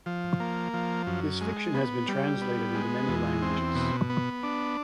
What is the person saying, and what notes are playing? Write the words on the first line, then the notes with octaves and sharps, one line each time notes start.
His fiction has been translated into many languages.
F3
A#3
F3
F#2
G#3
B3
G3
B3
G#3
E2
C4
B2
B3
D4